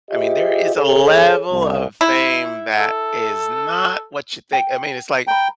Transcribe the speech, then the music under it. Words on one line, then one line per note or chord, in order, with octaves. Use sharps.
I mean, there is a level of fame that is not what you think, I mean, it's like,
F4 G4 G#4 C5 D#5 E5
G#4 A4 C#5
C2
E4
A4
G5
G5 A#5 B5